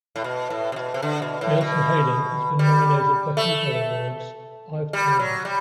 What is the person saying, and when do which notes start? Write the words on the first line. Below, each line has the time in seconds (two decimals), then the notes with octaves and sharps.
Nielsen Hayden has been nominated for Hugo Awards five times.
0.16 A2
0.24 B2
0.50 A2
0.72 C3
0.76 B2
0.94 C3
1.02 D3
1.22 B2
1.41 A2
1.61 B2
2.59 G3
3.37 A3
4.93 G3
5.19 F#3
5.45 G3